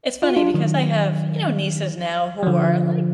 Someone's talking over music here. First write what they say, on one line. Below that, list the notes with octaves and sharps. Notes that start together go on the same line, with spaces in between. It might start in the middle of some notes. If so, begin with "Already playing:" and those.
it's funny because I have, you know, nieces now who are, like
F4
F#4
D4 F4
D#3 F#3
F#3
D3 F3